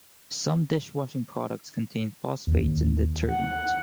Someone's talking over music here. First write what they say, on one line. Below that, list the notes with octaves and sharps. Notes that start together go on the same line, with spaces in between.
Some dishwashing products contain phosphates in detergent.
D#2
F#5